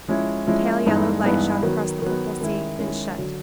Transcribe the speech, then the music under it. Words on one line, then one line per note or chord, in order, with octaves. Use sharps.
A pale yellow light shot across the purple sea; and shut.
F3 G#3 C#4 E4
F3 G#3 C#4 E4
G2 E3 G#3 B3 D#4
G2 E3 G#3 B3 D#4
D#3 F#3 B3
D#3 F#3 B3
D#3 G#3 C#4 E4
D#3 G#3 C#4 E4
D3 F#3